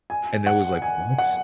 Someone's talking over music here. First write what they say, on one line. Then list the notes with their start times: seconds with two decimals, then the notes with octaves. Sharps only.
And it was like, "What?"
0.10 G#5
0.47 F#5
0.82 G#5
1.18 F#5